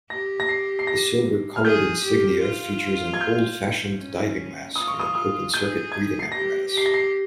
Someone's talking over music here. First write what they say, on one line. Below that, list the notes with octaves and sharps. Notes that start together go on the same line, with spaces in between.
The silver-colored insignia features an old-fashioned diving mask and open-circuit breathing apparatus.
G4 A#6
A#6
C7
C7
A#6
F6
G#4 G6
G4
F4
G#6
G6
C#4
F4 D#6
C#6
D#6
D#6
G#4 G6
G#6
C7
G4 A#6
G4
C7
A#6
C7